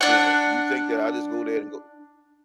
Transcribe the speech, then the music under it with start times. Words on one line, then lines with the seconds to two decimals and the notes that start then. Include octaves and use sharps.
you know? You think that I just go there and go
0.01 D4 F#5